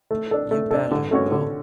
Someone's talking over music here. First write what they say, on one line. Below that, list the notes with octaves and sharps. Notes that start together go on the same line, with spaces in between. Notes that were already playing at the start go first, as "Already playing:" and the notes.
You bet I will!
A3
D4 A4
A3
D4 A4
D3
A3 C#4 F#4 C#5
D3